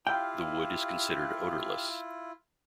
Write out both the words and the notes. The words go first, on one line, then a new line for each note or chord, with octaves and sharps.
The wood is considered odorless.
E4 F4 G4 F5 G5